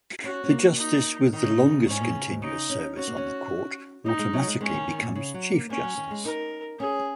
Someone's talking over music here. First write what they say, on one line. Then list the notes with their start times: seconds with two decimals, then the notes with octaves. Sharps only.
The justice with the longest continuous service on the court automatically becomes Chief Justice.
0.24 C#4 F#4
0.44 C#4
0.51 A#3
0.78 D#4
1.33 D#3 D#4
1.44 C#3
1.56 A#2
1.66 C#3
1.87 G#2 C#4
2.01 A#2
2.15 C#3
2.29 G#2
2.42 C#3 D#4
2.70 C#4
2.97 C#4 F#4
3.07 A#3
3.17 C#4
4.06 A#3 D#4
4.19 G#3
4.33 F#3
4.47 G#3
4.61 G#3 C#4
4.74 D#3
4.88 D#3
5.02 A#2
5.15 C#3
5.34 F#3
5.52 A#3
5.70 A#3 C#4
5.83 F#3
5.98 D#3
6.11 G#3
6.24 D#4 A#4
6.79 C#4 G#4